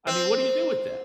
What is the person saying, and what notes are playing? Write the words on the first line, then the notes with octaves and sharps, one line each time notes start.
I mean, what do you do with that?
C4